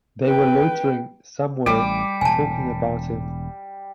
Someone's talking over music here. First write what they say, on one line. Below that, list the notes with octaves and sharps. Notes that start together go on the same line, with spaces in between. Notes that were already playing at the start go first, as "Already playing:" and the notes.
They were loitering somewhere, talking about him.
B4 G5
A1 G3 D6
E1 A2 G#5 A5